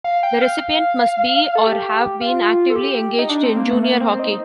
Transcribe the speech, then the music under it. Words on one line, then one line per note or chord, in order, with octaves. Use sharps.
The recipient must be or have been actively engaged in junior hockey.
F5
G5
F5
A4
G4
F4
A4
G4
D#4
D4
C4
A#3
A3
A#3
C4
D#4